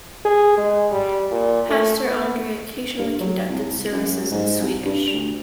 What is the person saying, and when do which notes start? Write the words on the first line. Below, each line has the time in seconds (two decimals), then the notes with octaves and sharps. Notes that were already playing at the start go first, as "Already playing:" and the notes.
Pastor Andrae occasionally conducted services in Swedish.
0.25 G#4
0.57 G#3
0.92 G3
1.31 A#2
1.70 A3
2.03 B3
2.99 G2
3.20 F#3
3.49 C2
3.92 F#2
4.32 G#2
4.61 C2
4.85 G2
5.13 D2